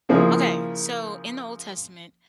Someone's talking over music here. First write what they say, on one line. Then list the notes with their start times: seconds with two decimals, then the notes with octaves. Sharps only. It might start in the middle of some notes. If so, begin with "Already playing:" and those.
Okay, so, in the Old Testament,
0.09 C#3 F3 A#3 E4 G#4